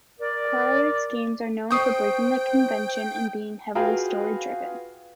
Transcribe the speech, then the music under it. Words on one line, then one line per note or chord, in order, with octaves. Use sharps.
Kyratzes' games are known for breaking with convention and being heavily story-driven.
A#4 D5
C5 G5 C#6 D#6 C7
F4 F#4 G#4 B4 F5 G5